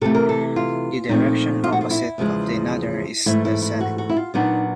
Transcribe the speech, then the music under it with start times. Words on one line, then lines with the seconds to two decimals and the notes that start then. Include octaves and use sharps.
The direction opposite of the nadir is the zenith.
0.01 C3 E3 A3 A4
0.15 A#4
0.29 A4
0.56 F4
1.09 A#2 F3 A3 C4 D#4
1.64 F4
1.73 F#4
1.81 F4
1.90 E4
2.18 E2 C#3 F3 G#3
3.26 G#2 E3 A3 E4
3.45 E4
3.62 E4
3.80 F#4
3.98 F#4
4.09 E4
4.17 F4
4.34 A#2 F#3 B3 D4 D#4